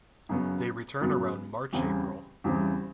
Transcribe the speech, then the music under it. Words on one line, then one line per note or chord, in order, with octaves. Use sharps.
They return around March-April.
F#2 C#3 F#3 B3
F#2 C#3 F#3 B3
E2 C#3 E3 G3 C4
E2 C#3 E3 G3 C4